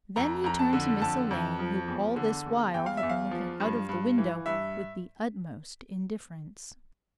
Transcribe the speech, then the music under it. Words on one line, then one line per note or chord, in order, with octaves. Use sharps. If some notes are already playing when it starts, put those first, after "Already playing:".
Then he turned to Miss Elaine, who all this while had been looking out of the window with the utmost indifference.
F2 A#5
F2 A#5
A5
D3
F2 A5
F2
F3
E2
D3
E2
E2 G5
F5
E5
E2
F5
F3
G2
G2
E3
G2 E5